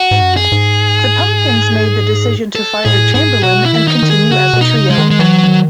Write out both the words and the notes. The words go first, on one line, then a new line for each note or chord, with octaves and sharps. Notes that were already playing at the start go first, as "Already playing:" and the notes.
The Pumpkins made the decision to fire Chamberlin and continue as a trio.
Already playing: F#4
G#2
F#2
G#4
G#2
A4
A2 G#4
G#2 G#4
B2 F#4
E4
D#3
D#4
D#3
G#4
C#3 F#4
B2
D#4
C#3
G#3
D#3
G#3
E3 F#3
D#3